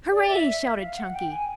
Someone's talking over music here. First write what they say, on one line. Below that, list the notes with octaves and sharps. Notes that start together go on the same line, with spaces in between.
"Hooray!" shouted Chunky.
D5
E5
F5
F#5
G5
G#5